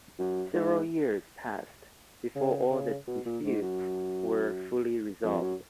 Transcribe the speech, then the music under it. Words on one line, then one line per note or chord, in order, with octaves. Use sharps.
Several years passed before all the disputes were fully resolved.
F#2
G#2
C#3
C#3
B2
A#2
G#2
F#2
F2
F#2